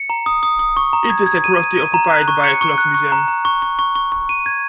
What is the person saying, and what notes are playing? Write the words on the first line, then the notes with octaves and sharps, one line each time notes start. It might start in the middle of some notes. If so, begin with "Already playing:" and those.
It is currently occupied by a Clock Museum.
Already playing: C#7
A#5
D#6
D#6
D#6
C#6
A#5
G#6
G#6
D#7
G#6
D#7
A#5
F#6
C#6
C#7
C#6
F#6
C#6
A#5
A#5
C#6
C#6
C#6
C#6
C#6
D#7
G#6